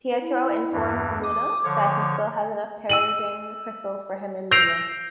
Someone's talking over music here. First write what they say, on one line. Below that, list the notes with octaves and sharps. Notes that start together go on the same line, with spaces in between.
Pietro informs Luna that he still has enough Terrigen Crystals for him and Luna.
E4
E2 G2 E3
D6 D#6
D3 F3 C#5
E6 D#7 F#7
E6 G6 A#6 C7 D7 F7